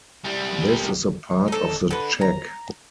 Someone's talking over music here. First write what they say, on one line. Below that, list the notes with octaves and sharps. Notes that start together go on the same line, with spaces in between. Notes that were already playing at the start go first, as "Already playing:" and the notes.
This is a part of the check.
C2 G3
D#4 A4
D3 B4
A#5